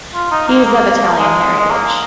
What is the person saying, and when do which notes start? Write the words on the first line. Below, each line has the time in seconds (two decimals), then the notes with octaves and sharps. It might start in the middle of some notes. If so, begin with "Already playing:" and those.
He is of Italian heritage.
0.15 F4
0.31 D#4
0.48 A#3
0.66 A#3
1.18 G#3
1.59 G#3
1.70 A#3